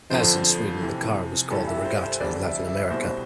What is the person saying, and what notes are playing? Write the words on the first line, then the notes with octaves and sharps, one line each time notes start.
As in Sweden, the car was called the Regatta in Latin America.
F2 D3 F3 C5
F2 C3 E3
G2 E3 G3 A4
E5
C5
C5
F2 D3 G3 D5
E5
E5
C2 B2 G3 C5